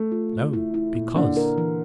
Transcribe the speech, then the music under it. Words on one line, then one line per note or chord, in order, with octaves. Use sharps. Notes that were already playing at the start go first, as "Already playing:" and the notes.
No, because.
Already playing: A3
F4
C#3
E4
E4
A#2
D3 A#3
A#4
E3